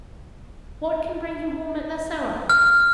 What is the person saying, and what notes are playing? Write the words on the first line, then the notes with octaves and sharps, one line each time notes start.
What can bring him home at this hour?
F6